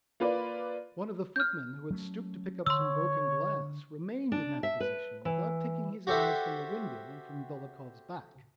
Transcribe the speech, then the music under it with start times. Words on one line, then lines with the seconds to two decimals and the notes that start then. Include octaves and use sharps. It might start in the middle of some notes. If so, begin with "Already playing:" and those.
One of the footmen who had stooped to pick up some broken glass remained in that position without taking his eyes from the window and from Dolokhov's back.
0.20 A#3 F4 B4 D5
1.36 F6 G6
1.90 F#3 A3 C#4
2.66 D3 C#5 C6 E6
4.32 D4
4.63 E5
4.80 B4
5.25 E3
6.07 F#4 G4 A4 C5 E5